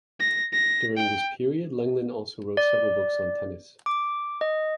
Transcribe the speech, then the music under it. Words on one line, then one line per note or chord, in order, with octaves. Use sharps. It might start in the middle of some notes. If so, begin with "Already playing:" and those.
During this period, Lenglen also wrote several books on tennis.
A#6
A#6
G5
D5
D6
D#5